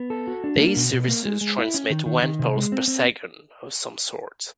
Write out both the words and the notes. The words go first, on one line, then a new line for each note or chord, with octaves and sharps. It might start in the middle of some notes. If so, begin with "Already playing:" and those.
These services transmit one pulse per second of some sort.
Already playing: B3
A4
F#4
D4
A#3
B2
B2
A#3
G#3
G#3
E4
C#4
D#3
D#3
D#3
C3
G#3
C4
C4